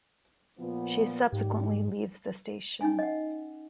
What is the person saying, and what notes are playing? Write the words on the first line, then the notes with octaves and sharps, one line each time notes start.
She subsequently leaves the station.
A#2 F3 B3
D#2 G#2 G3 G4
C#4 D#4 G#5
D#5 F#5